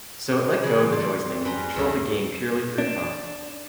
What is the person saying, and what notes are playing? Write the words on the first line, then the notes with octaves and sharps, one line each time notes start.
So it let go of the joystick and controlled the game purely through thought.
C#3 E3 G#4
D5 C6
C4
C#4 B4 G5 A#5
D2 G2 A3
D4